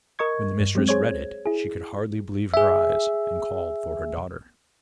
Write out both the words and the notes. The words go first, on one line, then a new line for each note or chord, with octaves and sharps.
When the mistress read it she could hardly believe her eyes and called for her daughter.
A#4 D#5 C#6 G#6
G2
F#3 G#3 C4
G#4 C5 C#5 G#6
E4 G#4
G#4 E5